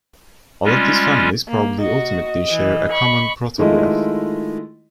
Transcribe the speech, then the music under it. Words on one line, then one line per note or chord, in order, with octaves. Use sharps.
All of these families probably ultimately share a common protograph.
G3 G#3 C#4 F4
A#3
F#4 D#5
E3
B5 C#6
D#3 G#3 A3 E4 F4 D#5